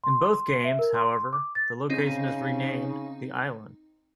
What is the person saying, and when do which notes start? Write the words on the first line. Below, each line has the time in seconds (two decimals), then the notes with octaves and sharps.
In both games, however, the location is renamed "The Island".
0.04 C6
0.64 E5
0.79 A#4
0.95 C6
1.33 D6
1.55 A6
1.90 C#3 C4 D#4